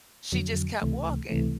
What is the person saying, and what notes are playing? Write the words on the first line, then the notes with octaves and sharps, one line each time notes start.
she just kept walking,
F2 D3 F#3
C#2 C3 E3 A3
C#2 C3 E3 A3